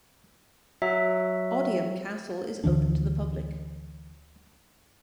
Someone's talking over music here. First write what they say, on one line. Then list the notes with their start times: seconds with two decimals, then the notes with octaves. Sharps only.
Odiham Castle is open to the public.
0.82 F#3 E5
2.64 D2 D3 E3 D4